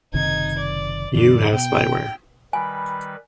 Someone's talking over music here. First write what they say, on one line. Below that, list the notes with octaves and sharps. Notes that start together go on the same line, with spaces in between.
You have spyware!
F#1 C3 D#3 D#4 G#6
D5
F#2 D3 E3 D5
B2 G5
D#3 G3 B4 G#5 B5